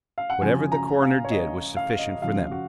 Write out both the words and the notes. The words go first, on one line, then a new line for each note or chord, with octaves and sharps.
Whatever the coroner did was sufficient for them.
F5
F#5
F#2 C#3 F3 G#5
A#5
F5
C#5
D#5
F5
D#5
D#5
F#2 C#3 F3 F5
F#4